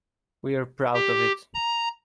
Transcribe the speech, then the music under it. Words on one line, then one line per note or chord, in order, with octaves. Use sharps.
We're proud of it.
G4
A#5